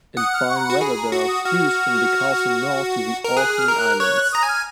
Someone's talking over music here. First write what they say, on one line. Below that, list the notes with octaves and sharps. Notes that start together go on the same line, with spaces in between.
In fine weather there are views from the castle north to the Orkney Islands.
F#5 D#6
F6
C#6
A#5
F#4 B5
G#4 B5
A#5
F#4 F#5
D#6
F#4 F6
A#4
G#4 F#6
F6
A#4
F#6
C#5 F#6
F#6
A#5 D#6
G#5
F6